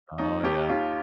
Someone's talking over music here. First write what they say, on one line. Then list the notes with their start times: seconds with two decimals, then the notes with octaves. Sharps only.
Oh, yeah.
0.18 D#2 D#4
0.43 D#2 G4
0.69 D#2 F4